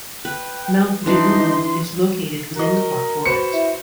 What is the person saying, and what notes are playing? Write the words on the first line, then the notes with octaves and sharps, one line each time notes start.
Mount Bigugu is located within the park borders.
B4 G5
E3 D4 D#4 C6
F#4 A#4 D#5
F#4 B4 C5 C#7
E4